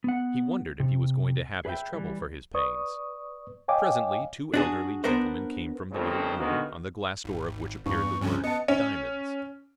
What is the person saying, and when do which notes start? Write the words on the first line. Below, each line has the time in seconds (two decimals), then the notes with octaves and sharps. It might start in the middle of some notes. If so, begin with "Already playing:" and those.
He wondered if he was going to have his trouble for his pains. Presently two elderly gentlemen came from the little room, on the glass door of which appeared the word "Diamonds."
0.04 B3 F#5
0.80 C3
1.65 G#4 B4 D#5 E5 G5
1.94 E3 G3
2.54 B4 D5 C#6 D#6
3.68 C#5 D#5 F5 G5 G#5 D6
4.54 D4 F#4 G#4
5.04 B3 D4 A#4 C5
5.92 G1 F2 A#2 C#3 A3 C4
6.38 D3 D#3 G#3 A#3 B3 F#4
7.24 G#1
7.86 E2 G2 C#6
8.21 G2 C3 F3 C#4 G#5
8.44 B3 D#5 A5 C#7
8.68 C#4